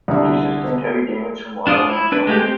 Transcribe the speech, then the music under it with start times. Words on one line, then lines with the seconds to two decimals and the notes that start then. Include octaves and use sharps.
She sustained heavy damage from waterline to funnel.
0.08 C2 D3
1.67 D4 F4 D5 D#6
1.90 E4
2.12 D4 B4
2.27 G#3 A3 F#4 G4
2.39 C4 G4 G5